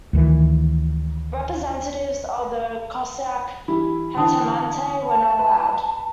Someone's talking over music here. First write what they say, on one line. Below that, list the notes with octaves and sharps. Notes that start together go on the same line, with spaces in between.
Representatives of the Cossack Hetmanate were not allowed.
D2 D#3 E3
E3 G3 E4 B5
D3 E3 G5 A5 D#6
G5 A5
B4